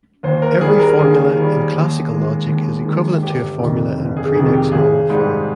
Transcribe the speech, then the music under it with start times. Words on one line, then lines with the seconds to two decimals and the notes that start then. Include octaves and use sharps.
Every formula in classical logic is equivalent to a formula in prenex normal form.
0.23 D#2 C5
0.42 A#4
0.61 D#3 G3 G#4
0.79 A#4
0.99 D#2 G#4
1.36 D#3 G3
1.73 D#2
2.11 D#3 G#3
2.48 D#2
2.85 D#3 G#3
3.23 G1 G4
3.59 F2 C3 D#3
3.97 G1
4.17 G#4
4.34 F2 C3 D#3 G#4
4.53 G4
4.72 G#1 G#4
5.09 G#2 G3